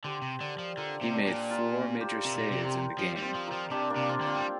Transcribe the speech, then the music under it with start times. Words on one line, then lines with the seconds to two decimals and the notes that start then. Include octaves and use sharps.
He made four major saves in the game.
0.04 D3 G4 C5
0.22 C3
0.40 D3 A#4 D5
0.59 F3
0.77 D3 F4 A#4
1.01 C3
1.14 D4 G4
1.26 A#2
1.50 F4 A#4
2.01 G4 C5
2.25 C3 A#4 D5
2.37 A#2
2.51 C3
2.61 G4 C5
2.98 F3 F4 A#4
3.17 G3
3.23 C4 F4
3.35 F3
3.47 F4 A#4
3.53 F3
3.71 C3 D4 G4
3.90 A#3 D4
3.97 C3
4.09 C4 F4
4.21 D3
4.26 C4 F4
4.35 G3